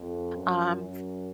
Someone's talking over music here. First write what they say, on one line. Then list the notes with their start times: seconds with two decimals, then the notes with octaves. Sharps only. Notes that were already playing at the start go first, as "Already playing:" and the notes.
Um, f
Already playing: F2
0.35 F#2
0.80 F#2